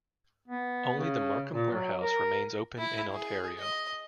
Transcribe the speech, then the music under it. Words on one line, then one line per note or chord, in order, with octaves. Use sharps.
Only the Markham warehouse remains open in Ontario.
B3
C#3
A#2
F#3
A#4
E4
G#4
D#5